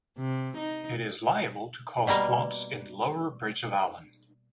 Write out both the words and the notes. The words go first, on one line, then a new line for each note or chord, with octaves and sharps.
It is liable to cause floods in lower Bridge of Allan.
C3
D#4
B2 G3 A#3 A#4